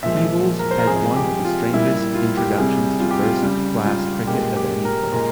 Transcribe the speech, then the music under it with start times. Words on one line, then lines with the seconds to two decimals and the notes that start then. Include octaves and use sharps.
Peebles had one of the strangest introductions to first-class cricket of any player.
0.03 A#2 F3 G#3 E5
0.59 A#4
0.71 C5
0.79 A#4
0.87 C3 F3 G#3 G#4
1.16 G4
1.45 F4
1.73 A#2 G3 E4
1.95 E4
2.15 F4
2.37 G4
2.58 C3 G3 G#4
3.00 F4
3.11 G4
3.23 F4
3.42 C#3 G3
3.86 F4
4.27 A#2 G#3 G4
4.56 G4
4.85 A#4
5.12 A#2 G#3 A#4